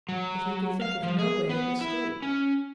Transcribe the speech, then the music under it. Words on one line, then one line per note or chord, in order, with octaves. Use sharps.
But he could think of no way of escape.
F#3
F5
F3
G#4
B3
E4
C#4